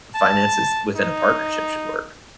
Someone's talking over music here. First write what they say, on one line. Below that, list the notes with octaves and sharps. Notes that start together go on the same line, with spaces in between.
finances within a partnership should work?
A5
D#4